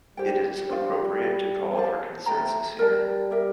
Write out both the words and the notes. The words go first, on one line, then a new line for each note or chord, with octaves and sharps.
It is appropriate to call for consensus here.
G3 G4 C5 G5
D4 F4 C5 F5
E4 A4 D5
G4 C5 F5 A5
A3 A4 C5 G5 A#5
G3 A#4 D5 A5
G4 A#4 E5